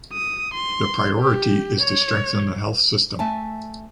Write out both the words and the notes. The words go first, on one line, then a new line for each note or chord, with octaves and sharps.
The priority is to strengthen the health system.
D#6
C6
G4
C#5
A3 E5 G#5 A5